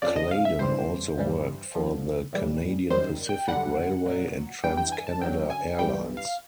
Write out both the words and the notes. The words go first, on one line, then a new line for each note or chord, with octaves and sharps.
Claydon also worked for the Canadian Pacific Railway and Trans-Canada Airlines.
F2 C#3 F3 D5
D#5
F5
E5
G2 E3 G3 C5
G2 E3 G3
F2 D3 F3
A2 E3 G3
F#2 D#3 G3 C5
G5
F#2 D3 G3 F#5
A#2 F#3
G2 E3 G3 G5
G5
G#5
A5
F#2 D3 F#3 G5
G#5
G2 E3 G3 G5
F5